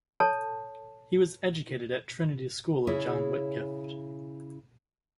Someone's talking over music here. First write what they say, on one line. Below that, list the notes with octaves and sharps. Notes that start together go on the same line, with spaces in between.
He was educated at Trinity School of John Whitgift.
A4 C#5 A5
C#3 E4 G#4 C#5 E5